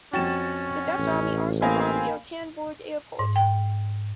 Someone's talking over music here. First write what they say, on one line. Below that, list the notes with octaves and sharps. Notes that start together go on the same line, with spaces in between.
The Dutch army also bombed the Okanburg Airport.
F2 C#4 F#4 G5 A6 E7
A1
A#3 C4 A#4 D#5 F5 G#5 B5
G#2
G5